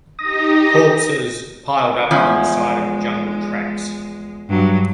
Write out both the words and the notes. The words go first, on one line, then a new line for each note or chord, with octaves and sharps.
Corpses piled up on the side of the jungle tracks.
D#4 G4 D#6 A#6
E2 F3 G#3 C#4
G2 F#3